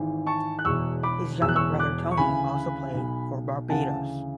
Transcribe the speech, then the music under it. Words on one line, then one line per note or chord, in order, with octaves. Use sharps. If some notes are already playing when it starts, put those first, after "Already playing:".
His younger brother Tony also played for Barbados.
Already playing: G#1 G#2 E3
A5 C#6
F#6
E1 E2 B2 C#6 E6
B5 D6
E1 E2 B2 E6
F#6
C#6 E6
D6 F#6
C#6
D2 C#3 E3 G#5 B5
B1 B2
D2 C#3 E3 F#5 A5